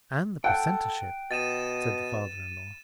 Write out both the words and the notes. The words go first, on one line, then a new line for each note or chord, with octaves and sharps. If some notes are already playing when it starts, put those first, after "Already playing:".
"And the precentorship," said the father-in-law.
A4 F#5 G5
B2 A6 D#7 E7